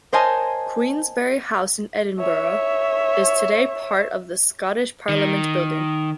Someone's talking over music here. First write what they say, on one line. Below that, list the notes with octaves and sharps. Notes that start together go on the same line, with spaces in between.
Queensberry House in Edinburgh is today part of the Scottish Parliament Building.
A#4 C5 C#5 D#5 G#5 A5
C#5 E5
D#3